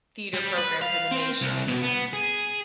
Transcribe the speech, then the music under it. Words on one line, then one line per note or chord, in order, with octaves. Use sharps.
theater programs in the nation,
G3
B4
F5
C4
C2
B2
B3
G#4